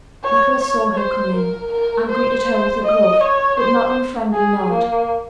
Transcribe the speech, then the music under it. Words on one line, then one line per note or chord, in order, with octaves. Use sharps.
Nicholas saw her come in, and greeted her with a gruff, but not unfriendly nod.
C#5
C#5
C5
A#4
A#4
C5
D#5
C#5
C5
G#4
A#3